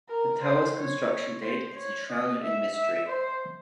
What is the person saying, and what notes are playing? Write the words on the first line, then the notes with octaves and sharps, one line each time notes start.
The tower's construction date is enshrouded in mystery.
A#4
C5
C#5
C5
C#5
D#5
E5
E5
C5